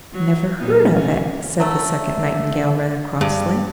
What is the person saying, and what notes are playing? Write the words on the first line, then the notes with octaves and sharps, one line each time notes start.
"Never heard of it," said the second nightingale, rather crossly.
F#3
A#2 B3 D#4
C3 E3 C#4
F#3 A3
G2